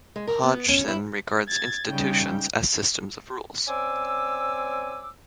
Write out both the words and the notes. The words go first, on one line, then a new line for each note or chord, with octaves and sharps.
Hodgson regards institutions as systems of rules.
G#3
A#4
B3
C#4
E4
G#6 A6
C#3 G3 D#4 G5
C4 C#4 D5 G#5 D6 E6